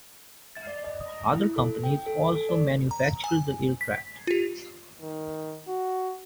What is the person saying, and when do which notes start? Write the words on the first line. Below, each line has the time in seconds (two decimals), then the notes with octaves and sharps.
Other companies also manufactured the aircraft.
0.55 A6
0.67 D5
0.84 D#5
1.01 D#6
1.34 E4
1.56 A4
1.84 G5
2.07 A4
2.35 A4
2.49 D5
2.91 A#5
3.24 G#5
3.81 B6
4.27 F4 G4
5.01 D#3
5.68 F#4